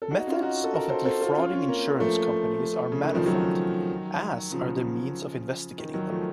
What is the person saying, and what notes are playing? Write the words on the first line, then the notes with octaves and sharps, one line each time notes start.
Methods of defrauding insurance companies are manifold, as are the means of investigating them.
A4
D#4 F#4
C#4 F4
D#4 F#4
A4
F#4 A#4
A4 C5
A4 C5
F4 A4
C#4 F4
C#4 F4
A#3 C#4
F3 A3
C#3
D#3
F3
D#3 F#3
C#3 F3
D#3
D#3 F#3
F3 A3